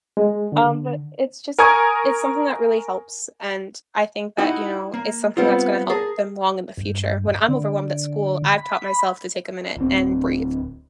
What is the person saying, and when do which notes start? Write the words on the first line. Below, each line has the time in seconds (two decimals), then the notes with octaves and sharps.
Um, but, it's just it's something that really helps, and I think that, you know, it's something that's gonna help them long in the future, when I'm overwhelmed at school, I've taught myself to take a minute and breathe.
0.17 G#3
0.52 D3
1.59 A#4 G#5 A#5 C#6 D#6 G#6
4.38 D#4 E4 F#4 G4
4.94 A#3
5.37 G3 B3 C4 F4
5.90 G#4 A#4 A5
6.77 G2
7.48 D3
8.58 B5
9.76 D1 C4